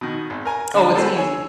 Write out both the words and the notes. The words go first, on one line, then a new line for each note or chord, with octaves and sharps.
Oh, it's easy,
B2 D#3
G#1
A#4 G#5 A#5
D3 C#4 A5
G3 G#3 B3 C4 A4
C#5 G#5 E6